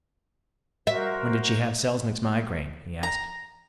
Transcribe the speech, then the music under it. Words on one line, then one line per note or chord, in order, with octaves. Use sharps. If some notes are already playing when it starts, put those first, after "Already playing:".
"When did she have Selznik's migraine?" he asked.
F#4 A#4 C5 E5
A#5